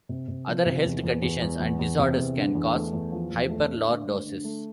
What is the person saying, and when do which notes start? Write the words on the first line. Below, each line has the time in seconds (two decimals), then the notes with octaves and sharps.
Other health conditions and disorders can cause hyperlordosis.
0.09 C3
0.28 C3
0.48 F3
0.66 C3
0.84 E2
1.04 E2
1.22 E2
1.42 E2
1.60 E2
1.79 E2
1.98 C3
2.17 E2
2.36 D3
2.55 E2
2.75 A3
2.93 E2
3.12 F3
3.31 E2
3.50 A3
3.68 D3
3.88 D3
4.06 A3
4.26 D3
4.44 A3